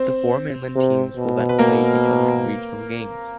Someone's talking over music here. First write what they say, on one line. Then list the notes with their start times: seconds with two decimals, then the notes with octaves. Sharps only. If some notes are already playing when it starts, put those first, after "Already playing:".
The four mainland teams will then play each other in regional games.
Already playing: C4 C5
0.75 C3
1.17 B2
1.49 B4
1.59 A#3 A#4